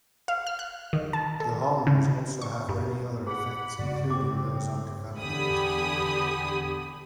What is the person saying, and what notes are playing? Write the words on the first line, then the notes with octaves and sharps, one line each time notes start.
The hormones also have many other effects including those on development.
F5
F6
F#6
D#3
A5
A4
C#3
C#6
G2
G#4 F#5 B5
G2 C#3 B3 F#4 D5
A2 C4 D6
E2 D3 G4 G#5 B5 D#6